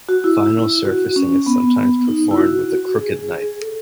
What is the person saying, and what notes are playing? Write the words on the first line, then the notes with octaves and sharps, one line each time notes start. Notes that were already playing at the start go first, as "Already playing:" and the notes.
Final surfacing is sometimes performed with a crooked knife.
F#4
E4
F#4
C#4
B3
D#4
E4
F#4
G#4
G#4
A4